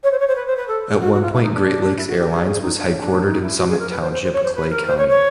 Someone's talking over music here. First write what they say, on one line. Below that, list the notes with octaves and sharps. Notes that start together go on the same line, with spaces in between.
At one point Great Lakes Airlines was headquartered in Summit Township, Clay County.
C#5
C5
C#5
C5
B4
C5
B4
A4
G#4
F#4
F#4
F4
E4
D#4
D4
E4
F#4
G4
G#4
G#4
D#4
D4
C#4
D4
D#4
E4
F#4
G#4
A#4
B4
C5
C5
C5
C#5
C5
B4
A#4
C5
C#5
C#5